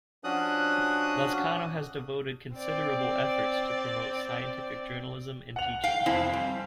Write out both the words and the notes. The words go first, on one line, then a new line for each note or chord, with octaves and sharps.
Lazcano has devoted considerable efforts to promote scientific journalism and teaching.
F3 C#4 D4 F#4 D#6 F#6
C4 D5
F#5 F7
F5 G5
F2 C3 C4 E4 F5 G#5
G3